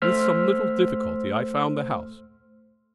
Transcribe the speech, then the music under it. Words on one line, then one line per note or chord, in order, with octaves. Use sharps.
With some little difficulty I found the house.
A3 C5 C6 E6 F6 B6